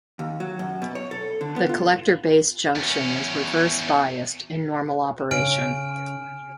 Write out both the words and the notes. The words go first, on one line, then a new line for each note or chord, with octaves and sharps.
The collector-base junction is reverse biased in normal operation.
D#2
F#3
F#2
B2
C#5
A4
D3
B3
F4
E2 C#4
C#3 G#5 F6 D7